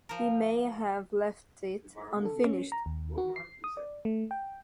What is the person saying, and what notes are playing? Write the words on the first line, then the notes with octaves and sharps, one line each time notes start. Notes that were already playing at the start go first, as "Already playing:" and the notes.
He may have left it unfinished.
F3 A#4
A4
C#4
A#5
D#2
F#4
C7
D#6
D5
A3
G5